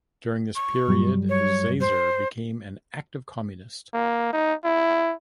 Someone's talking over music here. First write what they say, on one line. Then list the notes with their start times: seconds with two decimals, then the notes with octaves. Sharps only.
During this period, Zaisser became an active communist.
0.55 C#6
0.88 G2 F#3 G3
1.29 C#5
1.80 C5
3.93 A#3
4.33 D#4
4.64 E4